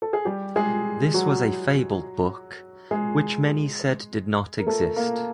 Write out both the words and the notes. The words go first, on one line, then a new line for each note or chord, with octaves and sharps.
This was a fabled book, which many said did not exist.
A4
G#4
G3 G4
G#3 G#4
F#3 F#4
G#3 G#4
A#4
A3 A4
A#3 A#4